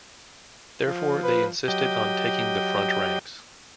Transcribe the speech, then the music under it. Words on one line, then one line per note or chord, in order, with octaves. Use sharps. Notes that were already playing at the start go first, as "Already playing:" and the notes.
Therefore, they insisted on taking the front ranks.
F3
B4
F#3 G4 D#5 G5